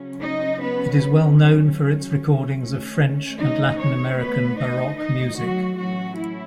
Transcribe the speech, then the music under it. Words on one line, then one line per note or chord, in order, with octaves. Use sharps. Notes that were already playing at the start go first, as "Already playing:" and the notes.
It is well known for its recordings of French and Latin American Baroque music.
Already playing: C#3 F#3 C#4
D#4 D#5
B3 B4
D#3 A3 C#4
D#4 D#5
C#4 C#5
B3 B4
D#4 D#5
D#4 D#5
F#3 F#4
A2 E3 F#3 A3 C#4 F#4
E4